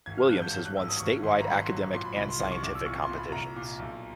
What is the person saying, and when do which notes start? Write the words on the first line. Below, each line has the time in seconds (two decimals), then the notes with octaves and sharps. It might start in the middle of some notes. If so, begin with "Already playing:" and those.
Williams has won statewide academic and scientific competitions.
0.06 G#1 G#6
0.18 F6
0.29 G2 F#6
0.42 G6
0.54 F#3 G6
0.65 F#6
0.77 G#1 E6
0.88 D#6
1.00 G#1 C#6
1.23 G#1 C6
1.41 A#5
1.46 F#3 B5
1.62 C6
1.70 F#3
1.93 A#2 C6
2.05 B5
2.16 C2 B5
2.28 C6
2.40 C2 C6
2.51 C#6
2.63 C2 D6
2.75 E6
2.86 A#2 C#6
3.02 C6
3.09 A#2
3.17 B5
3.32 C2 A#5
3.56 A#2
3.79 B1